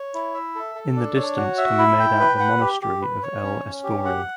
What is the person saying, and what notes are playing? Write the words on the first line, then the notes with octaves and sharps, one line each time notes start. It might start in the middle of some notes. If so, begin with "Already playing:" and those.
In the distance can be made out the monastery of El Escorial.
Already playing: C#5
E4
E5
A4
A4
D4
C#5
F#4
E5
E4
G5
B4
F#5
G4
G4
B4
C#5
C#4
C#4
G4
F#5